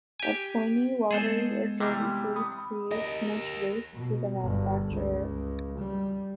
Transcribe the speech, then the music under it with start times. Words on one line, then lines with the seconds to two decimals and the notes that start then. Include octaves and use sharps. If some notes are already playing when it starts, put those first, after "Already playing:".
A pointy, watery, or dirty fleece creates much waste to the manufacturer.
0.20 G4 G#5
1.11 G#3 B3 G#4 A4 C5
1.80 C3 E3 G3
2.36 B5 D#6
2.91 G4 A#4 D#5
3.94 B2
4.40 G1
4.89 C#2
5.78 G3